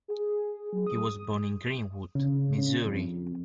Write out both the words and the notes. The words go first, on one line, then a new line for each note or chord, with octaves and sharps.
He was born in Greenwood, Missouri.
G#4
F#3
D#6
C#3
C#3
F2